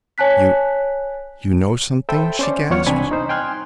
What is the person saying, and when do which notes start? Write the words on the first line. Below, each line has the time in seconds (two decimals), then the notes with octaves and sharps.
"You--you know something?" she gasped.
0.18 C#5 G#5 A5 F#6 B6
2.09 A4 C5 E5 G5 B5
2.39 C#4 C5 D5
2.70 E2 F4 C#5 F#5 C#6 F6
2.86 C2 C4 D4 G#5 B5
3.11 D#4 C5
3.29 G5 G#5 C6 F6 F#6 G#6